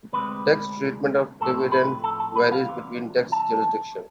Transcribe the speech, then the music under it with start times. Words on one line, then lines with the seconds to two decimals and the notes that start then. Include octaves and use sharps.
Tax treatment of dividends varies between tax jurisdictions.
0.13 D2 C3 G#3 C4 B4
1.40 A2 F3 A3 C4 A4
1.72 B4
2.04 A4
2.20 A4
2.36 B4
2.52 F5
2.68 C2 C3 E3
3.32 A5